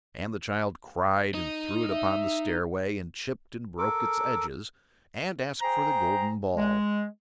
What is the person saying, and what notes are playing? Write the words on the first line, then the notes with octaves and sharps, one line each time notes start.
And the child cried and threw it upon the stairway and chipped and broke its edges and asked for the golden ball.
D#4
E5
A4 A#4 D6
G#4 C5 G5 A#5
G#3